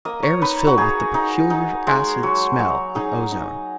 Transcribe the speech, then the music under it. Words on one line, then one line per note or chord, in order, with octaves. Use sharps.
The air was filled with the peculiar acid smell of ozone.
A#3 D#5
C#5
D#4 B4
F#4
D#4 G#4
D#4
D#4
G#3
F#3 F#4
F#3
D#4 G#4
D#4